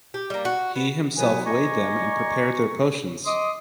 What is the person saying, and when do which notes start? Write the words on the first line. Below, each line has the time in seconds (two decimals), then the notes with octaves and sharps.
He himself weighed them and prepared their potions.
0.14 G4
0.30 G3 A#3
0.45 F#4
0.76 B3
1.17 C2 B2 F#3 B3 G#5
1.45 D5 D#5 G#5 A#5 C#6
3.25 D#5 C6 D6 D#6